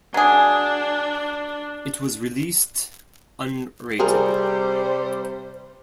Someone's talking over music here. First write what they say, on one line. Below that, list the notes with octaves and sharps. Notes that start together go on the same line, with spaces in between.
It was released unrated.
F#3 D4 G#4
C3 G3 G#4 A#4 C5